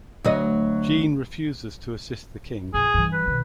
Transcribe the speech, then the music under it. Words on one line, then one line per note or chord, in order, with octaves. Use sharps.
Jean refuses to assist the king.
D2 F#3 D#5
A#1 F2 G#4
G2 E3
B4
B2 D#3